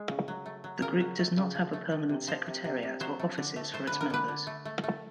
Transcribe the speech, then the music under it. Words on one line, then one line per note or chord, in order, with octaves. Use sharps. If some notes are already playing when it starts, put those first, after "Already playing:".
The group does not have a permanent secretariat, or offices for its members.
Already playing: G#3
C#3
F#3
A3
F#3
C#3 A#4
F#3
A3
C#3
F3
A3
A3
C3
F3 C5
C3
C3
C3
F#3 C5
A3
D3
A3
A3 C5
D3 B4
A#4
D3 B4
D3
A3
A3
A3